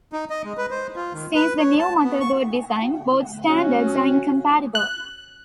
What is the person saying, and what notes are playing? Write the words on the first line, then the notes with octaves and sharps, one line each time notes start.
Since the new motherboard design, both standards are incompatible.
D#4
D#5
G#3
B4
C5
F4
D#3
B4
C#5
A5
B3
C#6
C#4 F#4
F#6